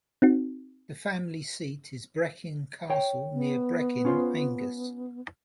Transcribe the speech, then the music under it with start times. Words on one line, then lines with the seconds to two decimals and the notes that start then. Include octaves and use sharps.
The family seat is Brechin Castle near Brechin, Angus.
0.22 C4 D#4 F#4
2.90 C#5 G5
3.33 B3
4.05 C#4 F4 C5